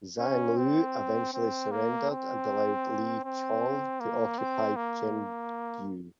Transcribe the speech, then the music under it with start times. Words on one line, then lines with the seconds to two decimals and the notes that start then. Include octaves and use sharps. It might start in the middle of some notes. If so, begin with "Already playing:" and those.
Zhang Luo eventually surrendered and allowed Li Xiong to occupy Chengdu.
0.19 C#4
0.57 C4
1.33 C4
1.71 A#3
2.11 C4
3.24 C4
4.00 A#3
4.38 C4
4.76 A#3